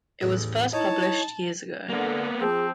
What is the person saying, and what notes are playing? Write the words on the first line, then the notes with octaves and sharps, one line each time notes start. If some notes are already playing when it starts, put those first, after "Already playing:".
It was first published years ago.
A1 E2
D#4 E4 C#5 A5
D3 A#3 B3
F3 C4 G#4